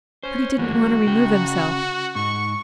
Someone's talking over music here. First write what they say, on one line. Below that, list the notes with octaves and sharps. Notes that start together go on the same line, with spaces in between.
But he didn't want to remove himself.
C#4 C5
E3 G#3 A#3 F#4
C#3 G5
G#2 C#6